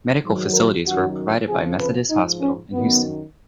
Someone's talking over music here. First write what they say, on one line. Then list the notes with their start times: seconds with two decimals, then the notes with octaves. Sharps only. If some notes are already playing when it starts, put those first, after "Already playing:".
Medical facilities were provided by Methodist Hospital in Houston.
0.22 G#2 D#3 F#3
0.54 A#4
0.85 F#2 D#3 F#3 F#4
1.47 F2 C#3 F3 G#4
1.79 B4
2.09 G#2 F3 D#4
2.40 C#4
2.72 F#2 D#3 F#3 B3